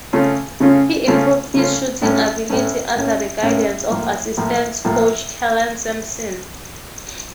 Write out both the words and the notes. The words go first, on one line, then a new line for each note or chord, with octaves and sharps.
He improved his shooting ability under the guidance of assistant coach Kellen Sampson.
C#3 A3 C#4 F4
C#3 A3 C#4 F4
C#3 A3 C#4 F4
C#3 A3 C#4 F4
A2 A3 C#4
A2 A3 C#4
A2 A3 C#4
A2 A3 C#4
A2 F3 A#3 F4
A2 F3 A#3 F4
A2 F3 A#3 F4